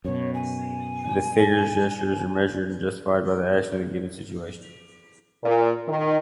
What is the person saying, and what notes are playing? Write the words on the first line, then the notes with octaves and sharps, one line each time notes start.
The figures’ gestures are measured and justified by the action of the given situation.
F#2 B2 C#5
G#5
A#2
D#3